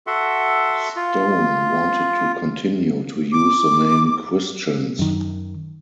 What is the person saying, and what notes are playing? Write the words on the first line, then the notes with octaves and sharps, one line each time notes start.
Stone wanted to continue to use the name Christians.
F#4 A4 E5 F#5 C6
F4
D6
F#2 D#3